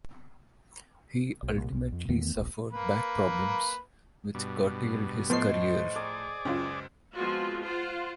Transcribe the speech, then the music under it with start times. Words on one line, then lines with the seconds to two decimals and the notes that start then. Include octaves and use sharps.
He ultimately suffered back problems, which curtailed his career.
1.43 B1
1.56 C2 A#2
1.72 B1
1.92 F2
2.09 E2 D#3 A3 B3
2.36 D1 A#1
2.71 A#3 B4
4.35 G2 B2
5.30 A2 F3 B3 C5 C#5 D#5 C7
5.96 G#4 D5 A#5 D6
6.45 C#2 F#2 C#4 F4
7.14 F3 G#3 B3 C4 F4 F#4
7.61 F4 C5 F5 F#5